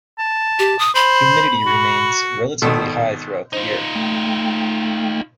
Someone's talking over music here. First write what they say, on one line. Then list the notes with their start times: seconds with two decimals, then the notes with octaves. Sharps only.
Humidity remains relatively high throughout the year.
0.18 A5
0.59 G4
0.79 D#6
0.95 C5 B5
1.66 F#4
2.62 G#1 B2 A4
3.53 D#4 F4 C5
3.95 A3 G5